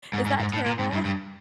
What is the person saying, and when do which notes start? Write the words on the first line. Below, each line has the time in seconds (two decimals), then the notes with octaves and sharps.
Is that terrible?
0.13 G#2
0.26 G#2
0.40 G#2
0.53 A2
0.66 A#2
0.79 G#2
0.93 G2
1.05 G2